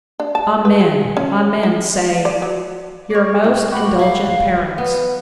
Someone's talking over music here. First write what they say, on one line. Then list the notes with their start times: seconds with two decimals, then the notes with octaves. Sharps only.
Amen, amen, say 'Your most indulgent parents.
0.20 D4
0.35 A5
0.65 B4
0.81 G#4
1.17 C#4
1.63 E4
2.25 D5
2.42 F#3
3.10 C#5 D5
3.44 A2 C4 D#5
3.72 F#4 G4 B5
3.99 E4 F5
4.78 B3 B4